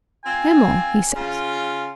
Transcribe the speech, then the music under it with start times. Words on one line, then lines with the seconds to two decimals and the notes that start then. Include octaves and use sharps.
"Himmel!" he says.
0.25 C4 F4 G#5
1.15 C#3 F4